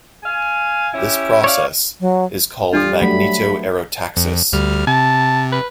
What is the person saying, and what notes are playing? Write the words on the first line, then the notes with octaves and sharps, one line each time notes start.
This process is called magneto-aerotaxis.
F5 G#5
C#4 E4 G4
C#5 D5 F5
F#3
G3 D4 F4 A4
F#3 A3 F#5 B5
F2
D2 G3 F6
C3 A5
B4